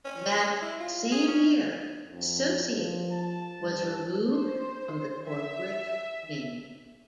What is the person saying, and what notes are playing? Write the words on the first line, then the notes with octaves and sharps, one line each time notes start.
That same year, "Associated" was removed from the corporate name.
C#4
E4
F4
G#4
C#4
F2
F3
A5
G2
C5
E5